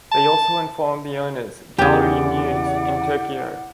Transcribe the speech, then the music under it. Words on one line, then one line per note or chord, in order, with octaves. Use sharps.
They also informed the owners, "Gallery Muse" in Tokyo.
A5
E2 C#3 E4 G4 G#4 D5 F#5